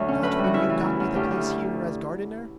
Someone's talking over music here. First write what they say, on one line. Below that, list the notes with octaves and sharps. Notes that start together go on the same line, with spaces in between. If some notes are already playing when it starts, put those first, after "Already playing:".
"Not when you got me the place here as gardener?"
Already playing: D2 F#3 A3
C#4
A2 B4
G3
F#4
C#3 E4
E3
F#2
F#2
D2 G4
D2